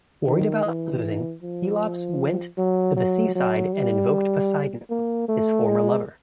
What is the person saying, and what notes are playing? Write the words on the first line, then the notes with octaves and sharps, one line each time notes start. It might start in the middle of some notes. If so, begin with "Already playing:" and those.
Worried about losing, Pelops went to the seaside and invoked Poseidon, his former lover.
D#3
E3
F3
F#3
F#3
F#3
G3
A#3
A3
G#3